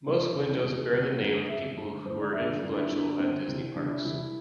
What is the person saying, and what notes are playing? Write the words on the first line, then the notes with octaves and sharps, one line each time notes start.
Most windows bear the name of people who were influential at Disney parks.
C2 C3 E3 C5
C2 C3 E3
C2 C3 E3
C2 C3 E3
G2 D3
G2 D3 E5
G2 D3
G2 D3 C5
D5
G2 D3 E5
D4
G2 D3 D4
E4
G2 D3 D4
G2 D3 C4
C2 C3 E3
C2 C3 E3 D4
E4
C2 C3 E3 E4